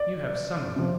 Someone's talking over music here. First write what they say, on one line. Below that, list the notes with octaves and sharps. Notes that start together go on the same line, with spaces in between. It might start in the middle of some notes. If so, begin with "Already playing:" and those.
You have some of them.
Already playing: D5
C3 F3